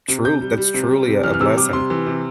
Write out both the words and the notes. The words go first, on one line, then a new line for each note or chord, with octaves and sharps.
tru that's truly a a blessing.
C3
C3 G6
G3
G3
C3
G3
C3
E3 F6
F6
C3 E6
G3 D6
C3 C6
E3
C3